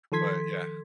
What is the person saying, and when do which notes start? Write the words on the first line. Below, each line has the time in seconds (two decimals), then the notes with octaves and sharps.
but, yeah.
0.12 D#3 F3 A4 C6 G#6 B6